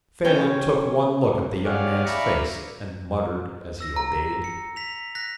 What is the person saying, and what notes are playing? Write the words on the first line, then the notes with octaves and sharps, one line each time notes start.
Phelan took one look at the young man's face and muttered as he obeyed.
C3 C#4 C#5 G5
G4 G#4 C#5 D5 F5 F#5
D5 E5 F5 A#5 B5 C#6
E6 A#6
A#5
C#7
B6 F7
F#6 A#6 B6